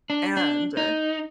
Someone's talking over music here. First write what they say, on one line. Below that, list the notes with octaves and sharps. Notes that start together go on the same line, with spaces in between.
and, eh
D4
D4
D#4